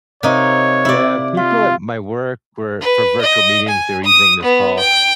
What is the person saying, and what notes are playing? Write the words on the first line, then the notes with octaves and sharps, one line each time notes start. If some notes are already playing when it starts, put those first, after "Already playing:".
Yeah, people at my work were for virtual meetings, they were using this call,
C3 D#4 A#4 C#5 F5
E4 D5
F4 F5
B4
D#5
G#5
D#6
B3
G5